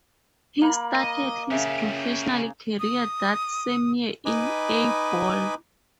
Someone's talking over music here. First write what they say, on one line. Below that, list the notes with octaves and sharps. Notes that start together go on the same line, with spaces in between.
He started his professional career that same year in A-ball.
A#3 A#5 B5 F#7
D#5
C#3 C#4 G4 E5
D#6
D#4 B4 D#5 G#5 B5 D6